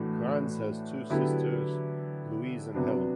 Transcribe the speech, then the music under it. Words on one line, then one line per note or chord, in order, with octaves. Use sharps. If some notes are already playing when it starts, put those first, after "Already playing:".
Kranz has two sisters, Louise and Helen.
Already playing: A2 E3 A3 D4 F#4
D3 F#3 B3 E4 G4
C3 F#3 B3 D4